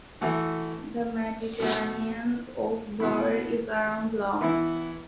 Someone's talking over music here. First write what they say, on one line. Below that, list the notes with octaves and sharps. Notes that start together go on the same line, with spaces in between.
The Mediterranean oak borer is around long.
E3 A3 F#4
B2 A3 F#4
B2 B3 E4
E3 B3 E4